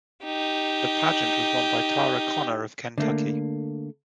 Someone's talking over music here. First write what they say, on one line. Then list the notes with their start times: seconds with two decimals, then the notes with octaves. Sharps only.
The pageant was won by Tara Conner of Kentucky.
0.24 D#4 G4
2.98 D3 A3 A#3